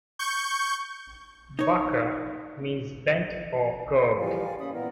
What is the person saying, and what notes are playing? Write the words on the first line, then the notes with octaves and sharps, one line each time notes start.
"Bakra" means bent or curved.
C#6 G6
D#4 C#5
E3 F3 G3 D5 F5 G#5
A#3 C#4 E5 B5 D#6
A#2 B3 E4 A#4 D5